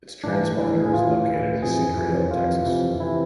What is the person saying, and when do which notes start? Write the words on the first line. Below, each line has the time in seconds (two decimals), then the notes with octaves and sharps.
Its transponder is located in Cedar Hill, Texas.
0.24 A2 E3 D4
0.58 A2 E3
0.82 G#4
0.93 A2 E3 F4
1.28 A2 E3
1.62 F2 C3 E3 G#4
1.97 F2 C3 E3
2.31 F2 C3 E3 F4
2.65 F2 C3 E3
3.00 C3 E3 E4